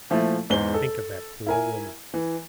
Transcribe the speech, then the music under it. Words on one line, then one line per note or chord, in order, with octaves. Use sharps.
And think of that poor woman!
A#2 F3 A3 E4
E2 G#2 C5 G7
A4
E4 A#4 G#5
E3